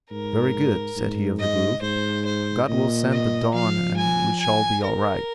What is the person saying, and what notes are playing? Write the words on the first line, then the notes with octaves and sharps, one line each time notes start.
"Very good," said he of the Grove; "God will send the dawn and we shall be all right."
G#2 A#4
G#2
D#5
G#2 C5
C5
A#2 D#5
D#5
F3 F5
G#5
G#5
A#4